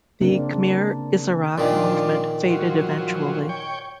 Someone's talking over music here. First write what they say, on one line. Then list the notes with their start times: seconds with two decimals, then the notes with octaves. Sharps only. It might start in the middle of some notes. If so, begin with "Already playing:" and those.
The Khmer Issarak movement faded eventually.
0.21 C#3 A#3 C4 D4
1.58 A#2 D#3 F3 D4
2.50 F3 F#3
3.49 C#5 G5